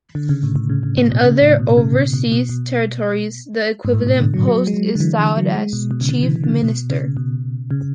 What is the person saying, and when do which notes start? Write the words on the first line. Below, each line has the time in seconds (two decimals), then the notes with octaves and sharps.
In other overseas territories the equivalent post is styled as Chief Minister.
0.15 D3
0.29 C#3
0.43 A2
0.56 A2
0.70 C#3
0.83 C#3
0.97 A2
1.11 B2
1.24 C#3
1.42 A2
1.60 B2
1.77 C#3
1.96 B2
2.13 B2
2.32 B2
2.49 B2
3.85 G#2
3.94 A2
4.07 B2
4.20 D3
4.34 F#3
4.47 F#3
4.67 G#3
4.74 F#3
4.95 D3
5.00 E3
5.19 D3
5.37 F#3
5.55 G#3
5.73 B2
5.91 B2
6.01 C#3
6.09 D3
6.23 E3
6.36 E3
6.44 D3
6.49 C#3
6.63 B2
6.90 C#3
7.17 B2
7.71 C#3